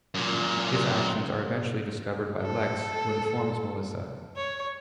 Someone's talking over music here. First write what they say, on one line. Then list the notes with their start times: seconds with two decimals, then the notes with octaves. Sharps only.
His actions are eventually discovered by Lex who informs Melissa.
0.15 F#2 A#2
2.42 A4
4.36 C#5